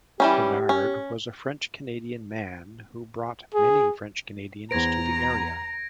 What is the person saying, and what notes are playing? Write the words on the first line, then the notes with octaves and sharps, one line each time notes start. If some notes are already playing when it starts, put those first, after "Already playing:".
Pinard was a French Canadian man who brought many French Canadians to the area.
E3 G3 C#4 G4
C#4
G#4
E2 C5 A#5 G#6 A#6 D7